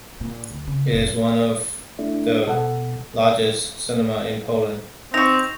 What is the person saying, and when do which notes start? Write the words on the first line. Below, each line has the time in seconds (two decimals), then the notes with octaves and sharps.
It is one of the largest cinemas in Poland.
0.20 A#2
0.51 D2
0.67 C#3
0.92 F1
1.99 A3 D4 E4
2.47 B2 A4 F#5
5.14 C4 D#4 C#6 A#6 F7